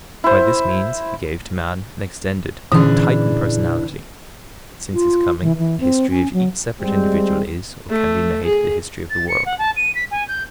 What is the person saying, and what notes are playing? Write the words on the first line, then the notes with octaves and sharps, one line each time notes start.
By this means he gave to man an extended, a Titan personality. Since his coming the history of each separate individual is, or can be made, the history of the world.
E4 C5
A#2 D3 E3 C#4 D4 G#4
F4
E3
E3
C4
C#4
F#3
G3 G#3 C4
A3
G#4
A6
C#7
F#5
A5
D#7
B6
G#5
G6